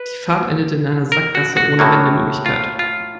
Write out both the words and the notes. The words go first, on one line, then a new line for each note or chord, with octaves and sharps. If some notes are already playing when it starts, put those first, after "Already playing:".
Die Fahrt endete in einer Sackgasse ohne Wendemöglichkeit.
Already playing: B4
A#4
F#4
F#4
A2 F#3 A#3
F4
F4